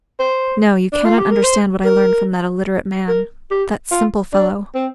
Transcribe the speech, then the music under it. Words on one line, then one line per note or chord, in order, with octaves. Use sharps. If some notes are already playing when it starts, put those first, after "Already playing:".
"No, you can't understand what I learned from that illiterate man--that simple fellow."
C5
D4
F4
G4
A#4
C5
A#4
A#4
G4
F4
D4
C4